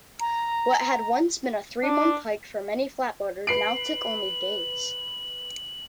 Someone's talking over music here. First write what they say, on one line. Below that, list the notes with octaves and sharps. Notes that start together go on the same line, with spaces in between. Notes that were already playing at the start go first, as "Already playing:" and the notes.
What had once been a three-month hike for many flatboaters, now took only days.
A#5
D4
B4 C7 D7 F#7